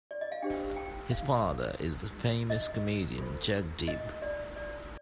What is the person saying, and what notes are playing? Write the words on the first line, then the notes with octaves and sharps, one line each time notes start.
His father is the famous comedian Jagdeep.
D5
D#5
F5
D4 G4 C5 G5
G5
F5
D#5
F4 A4 C5
D#5
D5
D5